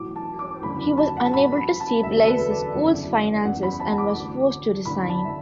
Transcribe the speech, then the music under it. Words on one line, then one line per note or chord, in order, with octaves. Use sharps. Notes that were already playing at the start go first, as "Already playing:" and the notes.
He was unable to stabilize the school's finances and was forced to resign.
Already playing: B1 A2 E3 D6
A5
D6
F#1 E2 D3 B5
A5
F#5
A5
B1 A2 E3 B5
B5
A5
E1 D2 D3 E5
A4
B4
D5
F#1 E2 D3
F#1 E2 E3 F#5
B5
A5
D6
D2 D3
F#1 E2 D3 B5
A5
E5